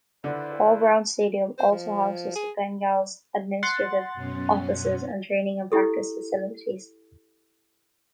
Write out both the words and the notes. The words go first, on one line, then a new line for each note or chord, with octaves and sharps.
Paul Brown Stadium also houses the Bengals' administrative offices and training and practice facilities.
D3 E4 B4 C5 D5
C5
F3
G#4
F#5 C6 A6
F#2 B2 C#4
E4 G4 A4